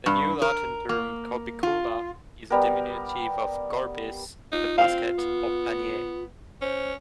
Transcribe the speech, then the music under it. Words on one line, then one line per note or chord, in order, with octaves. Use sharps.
The New Latin term "corbicula" is a diminutive of "corbis", a basket or pannier.
G2
A#4
A#3
F4
G3 B3 A#4
D#4 F4
C4 F5
B3
C#4 C5